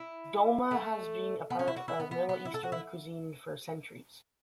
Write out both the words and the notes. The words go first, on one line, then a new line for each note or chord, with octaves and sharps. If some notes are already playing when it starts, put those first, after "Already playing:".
Dolma has been a part of Middle Eastern cuisine for centuries.
Already playing: E4
A3
B3
C#4
E4
F#4
E4
B3
B3
B3
E4
A4
F#4
E4